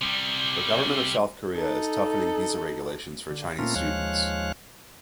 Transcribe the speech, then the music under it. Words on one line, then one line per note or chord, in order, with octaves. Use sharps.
The Government of South Korea is toughening visa regulations for Chinese students.
C3 G3
D#4 A4
D3
A#2 A3 A#3 C4 C#4 F4
D#2 F3 G#3 C#5 F5 F#6